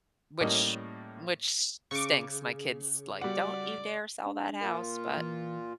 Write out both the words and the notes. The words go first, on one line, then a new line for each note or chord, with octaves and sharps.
which which stinks. My kid's like, "Don't you dare sell that house," but,
A2 G3 A#3 C#4 D#5
C#3 C#6 D6
G3 F#4 D5 F#5
D4
A#2 F4 A#4
E3